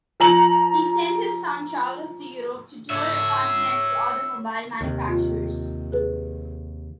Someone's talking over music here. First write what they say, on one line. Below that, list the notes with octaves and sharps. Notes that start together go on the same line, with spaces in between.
He sent his son Charles to Europe to tour continental automobile manufacturers.
F3 A#5 F#7
C#5 E5
D#2 C3
F4
G#4 B4